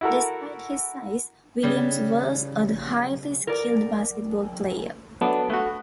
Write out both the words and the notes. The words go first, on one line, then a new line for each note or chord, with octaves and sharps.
Despite his size, Williams was a highly skilled basketball player.
E4 F#4 A4 A#4
C#3 G3 G4
A#4 D5
F#3 A3 B3 D4
A3 B3 F#4